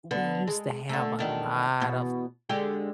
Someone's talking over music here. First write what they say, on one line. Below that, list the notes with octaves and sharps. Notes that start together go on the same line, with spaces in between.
we used to have a lot of
D3 B3
G#3
D3 A3
E2 D#3 D4
E2 B2
D3 G#3 G4